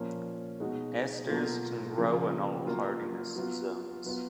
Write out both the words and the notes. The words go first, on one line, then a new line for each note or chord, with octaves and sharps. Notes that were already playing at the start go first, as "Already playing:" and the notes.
Asters can grow in all hardiness zones.
Already playing: A#2 F3 A#3 C#4
B2 G#3 D#4 F#4
B2 F#3 A#3 F4
C#3 F3 A#3
F#3 A#3 F4
F#3 B3 F4
F#3 B3 F4